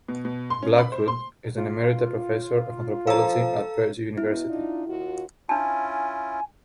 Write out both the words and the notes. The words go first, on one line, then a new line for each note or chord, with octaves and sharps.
Blackwood is an emerita professor of anthropology at Purdue University.
B2
B2
C6
C#4
B5
C5
C6
F4
F3 A4 F5 A#5
B2 E4
D4 D#4 F4
D#2 F4 F#4
C#4 D4 E4 F4 G#5 A5